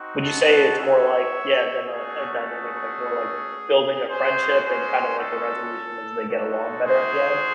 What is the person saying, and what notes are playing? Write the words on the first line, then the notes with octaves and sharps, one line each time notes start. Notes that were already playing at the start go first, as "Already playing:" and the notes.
Would you say it's more like Yeah, than a a dynamic like, more like building a friendship and kinda like the resolution as they get along better at the end?
Already playing: C4 D#4 F#4
F#5 A5
C#5 E5
A3 C#4 F#4 G#4
G#4
G#3 C#4 F#4 G#4 C5
G#4 C5
A4
G#3 D#4 F#4 A4
G#4 C5